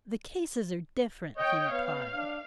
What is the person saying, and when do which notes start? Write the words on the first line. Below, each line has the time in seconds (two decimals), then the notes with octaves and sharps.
'The cases are different,' he replied.
1.37 C#5 D#5 G5
1.72 B3 F5
2.13 D4